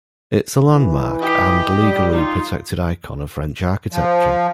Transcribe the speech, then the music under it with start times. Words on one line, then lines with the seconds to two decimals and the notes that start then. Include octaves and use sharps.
It's a landmark and legally protected icon of French architecture.
0.74 E3
1.19 G4 D#5
1.81 G3
2.12 D#4 F4
3.92 F3